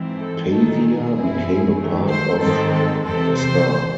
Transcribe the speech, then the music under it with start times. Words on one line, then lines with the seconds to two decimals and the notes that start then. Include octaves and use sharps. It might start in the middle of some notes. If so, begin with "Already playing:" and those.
Pavia became a part of Sta.
Already playing: G#2 E3 C4
0.18 A4
0.49 D#3 A3 D#4 A4
0.81 G#4
1.13 F#2 E3 C4 E4
1.77 D#3 F#3 A3
2.09 C5
2.40 G#2 D#3 G#3 C4 A4
2.73 A4
3.04 E2 C3 E3 C4 A4
3.36 C5